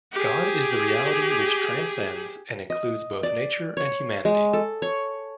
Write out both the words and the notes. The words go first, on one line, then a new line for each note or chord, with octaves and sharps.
God is the reality which transcends and includes both nature and humanity.
G4 G#4
D#5
D5
C#5
G#3
A4
C#5